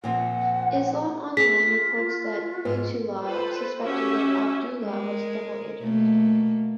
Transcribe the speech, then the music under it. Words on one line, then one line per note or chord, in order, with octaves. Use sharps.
"Islam Online" reports that Baitullah suspected that Abdullah was a double agent.
A#2 F3 C4 F#5
F4 G#4 B6
G#2 F4
F4 A4 B4 C5
C#4 F#4 G4 E5
G#3 A#4
B2 A3 A#3